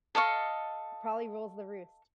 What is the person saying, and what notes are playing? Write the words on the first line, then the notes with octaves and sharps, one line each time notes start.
Probably rules the roost.
A4 D#5 F5 C#6